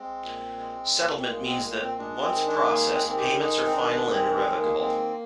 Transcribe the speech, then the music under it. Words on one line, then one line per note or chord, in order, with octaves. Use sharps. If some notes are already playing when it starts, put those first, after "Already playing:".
"Settlement" means that once processed, payments are final and irrevocable.
Already playing: G#3 C4
A#2
G#3
A#2
C4
G#3 A#3
C4
A#2 A#3
C4
G#3 D4
C4
D#3
D4
G#3 A#3
C4
A#3
D#3 C4
G4
G#3 D#4
C4
D#3 D4
G#3 C4
C4
D#3
A#3
A#3 C4